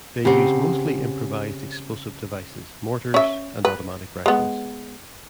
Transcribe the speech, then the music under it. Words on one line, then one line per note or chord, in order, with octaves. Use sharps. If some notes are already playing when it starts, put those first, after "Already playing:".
They use mostly improvised explosive devices, mortars, and automatic rifles.
C#3 C4 G4 F#5
C#4 E5
B4
G#3 B3